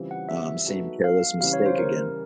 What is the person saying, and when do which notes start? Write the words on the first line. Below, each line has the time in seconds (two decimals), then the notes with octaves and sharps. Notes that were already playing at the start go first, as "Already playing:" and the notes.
um, same careless mistake again.
Already playing: C#3 E3 G3 C4 F4
0.11 F#5
0.29 E5
0.66 F#3 B3 D#4 F#4 A4
1.04 F5
1.41 C#3 E3 G3 F5
1.53 C#5
1.66 C5
1.78 A#4